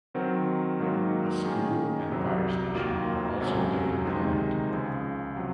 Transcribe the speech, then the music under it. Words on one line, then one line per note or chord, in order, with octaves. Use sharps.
A school and fire station are also later planned.
D#3 F#3 C4 F#4 A#4
G#2 D#3 F#3 A#3
D#3 A#3 C#4 G#4
C2 C3 F#3
D#2 D#3 F#3 A#3 F4
C#2 C3 F#3 C#4
C3 D#3 G#3 D#4
C#2 C#3 F3
C3 F#3